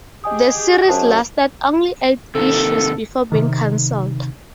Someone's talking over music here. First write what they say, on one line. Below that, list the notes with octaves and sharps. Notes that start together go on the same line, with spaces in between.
The series lasted only eight issues before being canceled.
G4 G#4 D#5 G#5 D#6
F#2 C#4 C5 A5
C3 D#3 A#3 A4
C3 D#3